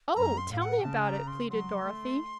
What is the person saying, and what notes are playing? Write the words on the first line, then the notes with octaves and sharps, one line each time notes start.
"Oh, tell me about it!" pleaded Dorothy.
F#2 A#5
C6
A2 F5
F#5
C#3 A5
A#5
C6
F#3 C6
A3